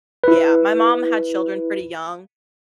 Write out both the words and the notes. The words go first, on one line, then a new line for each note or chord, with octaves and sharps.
Yeah, my mom had children pretty young,
E4 B4